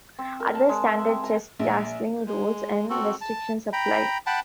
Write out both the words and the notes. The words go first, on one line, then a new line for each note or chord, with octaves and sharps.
Other standard chess castling rules and restrictions apply.
C4
A#4
A5
G#3
E5
C4
A#5
A#1
G#3
C4 F#4 A4
A5
G5 A#5 B5
F#5 G5 A5 B5